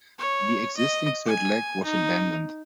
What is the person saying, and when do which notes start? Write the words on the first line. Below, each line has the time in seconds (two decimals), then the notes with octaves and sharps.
The existing third leg was abandoned.
0.19 C#5
0.77 D#5
1.26 G#5
1.84 D#4